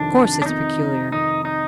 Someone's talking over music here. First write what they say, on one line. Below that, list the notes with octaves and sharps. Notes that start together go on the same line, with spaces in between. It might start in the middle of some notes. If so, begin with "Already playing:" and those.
Of course it's peculiar.
Already playing: F2 C3 D#3 D4
D4
F2 C3 D#3 D#4
F2 C3 D#3 D#4
D#4